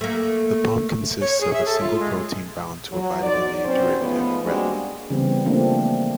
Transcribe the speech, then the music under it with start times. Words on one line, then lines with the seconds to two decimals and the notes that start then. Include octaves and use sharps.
The pump consists of a single protein bound to a Vitamin A derivative, retinal.
0.01 A3 A#3
1.21 C#5
1.41 G#4
1.53 E5
1.66 A4
1.81 F4
1.99 G#3
2.91 F#3
3.23 D#4 F#4 C5 D5
3.64 B2 F#3 C4 C#4 C5
4.01 G#2 F3 A3 B3
4.45 G3 G#3 A#3 C4 D4 F#4
5.10 C#3 E3 G3 B3 C4
5.46 F3 A3 A#3 C4 D4